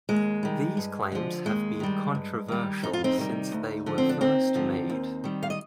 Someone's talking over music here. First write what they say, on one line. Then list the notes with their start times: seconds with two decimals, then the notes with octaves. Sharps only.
These claims have been controversial since they were first made.
0.09 D#2 G#3
0.43 D#3 G3
0.77 G2
1.12 D3 F3
1.46 D#2 G#3
1.80 D#3 G3
2.15 G2
2.48 D#3 G3
2.83 F2 D#4
2.93 F4
3.04 C4 D#4
3.18 C3 D#3 G3
3.52 D2
3.86 D3 F3
3.98 C4
4.09 D4
4.21 D#2 C4 D#4
4.55 D3 F3
4.90 D#2
5.24 D#3 G3
5.43 F5
5.50 D#5